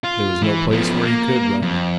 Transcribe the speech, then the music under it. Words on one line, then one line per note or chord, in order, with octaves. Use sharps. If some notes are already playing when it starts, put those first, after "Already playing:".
There was no place where he could run.
F4
E3
F3 B3
A#3
F2